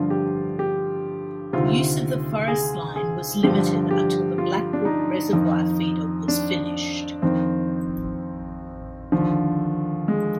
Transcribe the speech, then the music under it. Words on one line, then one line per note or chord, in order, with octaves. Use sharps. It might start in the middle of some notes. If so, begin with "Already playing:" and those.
Use of the Forest Line was limited until the Blackbrook Reservoir feeder was finished.
Already playing: G2 D3 F3 F4
G4
G4
D2 C3 D#3 F4
G#4
G#4
G2 D3 F3 G4
G4
F4
D4
D#4
F2 D#3
D4
F2 D#3 C4
D#2 D3 F3
G#3